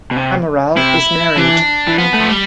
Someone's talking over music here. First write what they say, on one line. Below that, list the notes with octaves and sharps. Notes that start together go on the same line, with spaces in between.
Amaral is married.
B2
C3
C3 E4
E3 D4
E3
F3 B3
A3
F3
G3